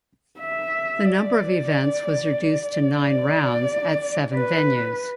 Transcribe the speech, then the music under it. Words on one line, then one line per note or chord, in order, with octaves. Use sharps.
The number of events was reduced to nine rounds at seven venues.
E5
D5
D5
B4